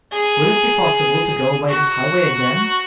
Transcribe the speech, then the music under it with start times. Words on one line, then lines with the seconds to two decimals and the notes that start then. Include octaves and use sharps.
"Will it be possible to go by this highway again?"
0.12 G#4
1.69 F#4